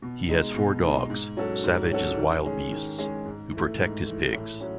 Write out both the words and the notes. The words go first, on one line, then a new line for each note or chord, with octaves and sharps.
He has four dogs, 'savage as wild beasts,' who protect his pigs.
B2
G#3 D#4
B2
G#3 D#4
G#2
F#3 C#4 F#4 A4
G#2
F#3 C#4 F#4 A4
D#3
G#3 C#4 G#4
D#3
G#3 C#4 G#4
G#2
E3 A3
G#2
E3 A3
A2
F#3 C#4